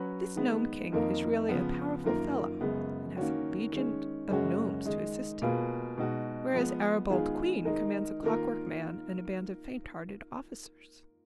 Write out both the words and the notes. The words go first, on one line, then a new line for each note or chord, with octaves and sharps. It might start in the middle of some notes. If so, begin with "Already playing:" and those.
"This Nome King is really a powerful fellow and has a legion of nomes to assist him, whereas our bold Queen commands a Clockwork Man and a band of faint-hearted officers."
Already playing: F#3 C#4 F#4 B4
D#3 G#3 B3
F2 D#3 A#3 D#4 A#4
C#3 F3 B3
F#2 D#3 A#3 F4 A#4
F#2 C#3 G#3 B3
D#3 A#3 C#4 F#4
D#3 G#3 C#4
F#2 C#3 G#3 C#4 F#4
D#3 G#3 D#4
B2 A#3 F4 G#4 B4
B2 G#3 D#4 F#4
F3 G#3 B3
D#3 G#3 B3 F4 G#4
D#3 G#3 D#4 A#4
D#3 A#3 F4 A#4